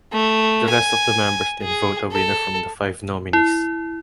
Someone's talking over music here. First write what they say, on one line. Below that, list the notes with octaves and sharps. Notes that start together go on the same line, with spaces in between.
The rest of the members then vote a winner from the five nominees.
A3
G#5
G#4
A4
E4